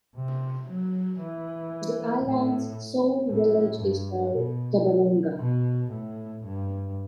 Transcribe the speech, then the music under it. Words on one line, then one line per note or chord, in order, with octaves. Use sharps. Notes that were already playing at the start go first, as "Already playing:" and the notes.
The island's sole village is called Tebaronga.
C3
F#3
E3
A2
A2
G2
B2
B2
A2
G2